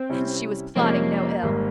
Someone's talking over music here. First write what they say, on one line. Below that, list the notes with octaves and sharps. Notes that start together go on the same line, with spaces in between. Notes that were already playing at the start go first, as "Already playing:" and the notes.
And she was plotting no ill.
Already playing: C4
C3 G3 C#4 E4
F2 C3 F3 G#3 A#3 C#4
G#1 G#2 G3